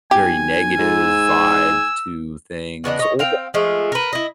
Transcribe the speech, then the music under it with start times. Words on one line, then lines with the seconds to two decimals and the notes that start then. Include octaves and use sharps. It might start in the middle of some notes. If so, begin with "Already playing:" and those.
very negative vibe to things, or
0.11 B1 G4 G#5
0.78 G#2 E6
2.84 C#3 B3 D4 D#5
2.99 C#5 D#5
3.19 C4 F5 G5
3.54 F3 G#3 A3
3.92 A#4 B4
4.13 E4 D#5